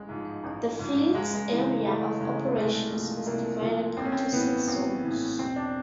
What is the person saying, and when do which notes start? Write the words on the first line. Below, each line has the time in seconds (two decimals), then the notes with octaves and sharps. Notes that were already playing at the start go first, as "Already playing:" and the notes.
The fleet's area of operations is divided into six zones.
Already playing: A1 G#3
0.09 G#2 F3
0.44 A1
0.79 G#2 F3
1.15 C#2 G#3
1.34 G#3
1.50 C#3 E3
1.85 C#2 A3
2.21 C#3 E3 G#3
2.56 C2 A3
2.63 G#3
2.71 A3
2.91 A#2 F3
3.26 C2 A#3
3.61 A#2 F3
3.97 A#1 C4
4.05 C#4
4.12 C4
4.33 A2 E3 B3
4.68 A#1 C4
5.03 A2 E3
5.39 E1 C4
5.56 D4